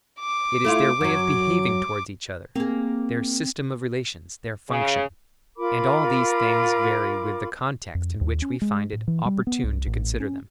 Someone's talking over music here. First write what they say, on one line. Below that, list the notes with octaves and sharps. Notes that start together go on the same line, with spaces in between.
It is their way of behaving towards each other, their system of relations, their function; and all these things vary with the context in which we find it opportune to consider them.
D6
A3 E4 F4
F#2 F#3
A#3 C4 G#4
C#3
F4 A#4 B5 D6
F2
D#2
C#4
G#3
A2
E3
G3
B3
C2
A1
C#4